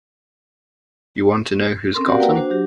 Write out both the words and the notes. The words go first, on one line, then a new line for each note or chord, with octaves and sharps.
You want to know who's got 'em?
C4 C#4 A4 A#4 C6
F#4 G4 A#4 D5 F5 F#5
A#3 A#4 B4 F#5 G5
D4 F#4 C5
F#3 D4 G4